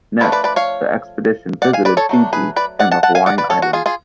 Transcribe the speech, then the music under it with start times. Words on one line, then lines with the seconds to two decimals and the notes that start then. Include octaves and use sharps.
Next the expedition visited Fiji and the Hawaiian Islands.
0.20 F3 A3 D4 B4 D5
0.32 B4 D5
0.44 B4 D5
0.56 C#5 F5
1.62 D5 F#5
1.73 F5 G#5
1.85 B4 D5
1.97 A4 C#5
2.09 F#3 A3 D4
2.33 G#4 B4
2.56 B4 D5
2.79 D5 F#5
2.92 F#5 A5
3.03 F#5 A5
3.15 F5 G#5
3.26 D5 F#5
3.38 B4 D5
3.50 A4 C#5
3.62 F#4
3.73 F4 G#4
3.86 F4 G#4